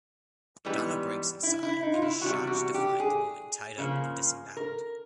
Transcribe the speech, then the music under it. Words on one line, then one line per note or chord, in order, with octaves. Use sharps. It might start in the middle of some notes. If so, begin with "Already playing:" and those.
Donna breaks inside and is shocked to find the woman tied up and disembowelled.
G#2 E3 G3 B3
E4
E4
D#4
F4
E4
E2 C3 G3 F#4
F#4
G4
G#4
C#3 F3 A#3
A#4